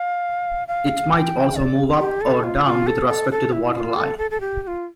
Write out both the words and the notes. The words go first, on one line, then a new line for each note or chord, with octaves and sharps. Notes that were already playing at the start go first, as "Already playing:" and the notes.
It might also move up or down with respect to the water line.
Already playing: F5
F5
G5
D5
G4
A4
F4
F4
A4
A4
A4
E4
F4
A4
A4
A4
G4
G4
F4